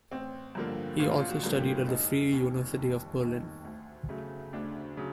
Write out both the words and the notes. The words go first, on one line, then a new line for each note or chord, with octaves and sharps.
He also studied at the Free University of Berlin.
A1 C4
G2 D3 F3 A#3
A1 F4
F4
F#4
G2 D3 F3 A#3
G4
F1 D#4
D#2 D#3
F1
D#2 D#3
D2
C#3 F#3 A3
D2 D4
C#3 F#3